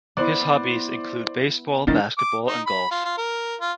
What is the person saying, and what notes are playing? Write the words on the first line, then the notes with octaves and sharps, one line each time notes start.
His hobbies include baseball, basketball and golf.
B3 E4 C5 D5
C2 D#3 D4 E4 A6
D6
D#4
B5
F4
F4
A#4
F4